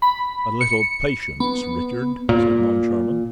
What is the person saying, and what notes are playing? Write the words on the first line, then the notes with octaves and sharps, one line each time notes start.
"A little patience, Richard," said Moncharmin.
B5
C#7
B3
A#2